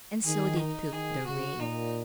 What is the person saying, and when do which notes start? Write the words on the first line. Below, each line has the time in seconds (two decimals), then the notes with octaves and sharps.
And so they took their way.
0.25 D#3 G#4
0.58 D#4
0.92 D#3 G#4
1.25 C#3 F#4
1.59 A#2 D#4